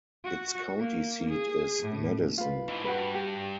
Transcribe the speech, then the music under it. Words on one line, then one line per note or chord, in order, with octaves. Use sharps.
Its county seat is Madison.
F#4
A#3
G#4
A2
F4 B4
G#2 E3
G2 F#4 B4
G4